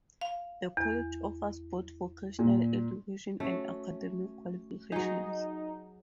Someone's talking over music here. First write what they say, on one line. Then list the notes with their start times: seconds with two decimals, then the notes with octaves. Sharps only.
The college offers both vocational education and academic qualifications.
0.21 F5
0.77 E2
2.39 A#2
3.40 A3 C#4 F#4 C#5
4.92 F#3 D#4 G#4